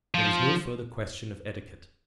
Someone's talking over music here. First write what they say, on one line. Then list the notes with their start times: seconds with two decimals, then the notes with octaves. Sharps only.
There was no further question of etiquette.
0.15 F3